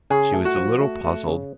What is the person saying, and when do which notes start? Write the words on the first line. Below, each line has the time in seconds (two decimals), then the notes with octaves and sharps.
She was a little puzzled.
0.10 C#3 G#4
0.34 A3
0.45 F#4
0.57 F3
0.81 A3
1.04 A3
1.27 C#3